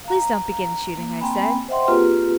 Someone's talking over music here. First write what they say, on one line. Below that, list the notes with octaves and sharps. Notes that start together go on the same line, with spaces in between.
'Please don't begin shooting,' I said.
F5 A#5
A#3
A#3 C4 G5 G#5 B5
C5 D#5 E5 F#5 G5 C6
A#3 C4 F4 G4 G#4 B4